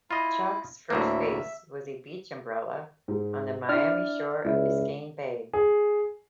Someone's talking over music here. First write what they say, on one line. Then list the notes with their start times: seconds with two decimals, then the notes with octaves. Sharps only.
Chalk's first base was a beach umbrella on the Miami shore of Biscayne Bay.
0.11 E4 F4 D#5
0.90 D2 A2 A#3 E5
3.08 G#2 G#3
3.69 D4 E4 D5 F6
4.45 C#2 E4
5.53 G#4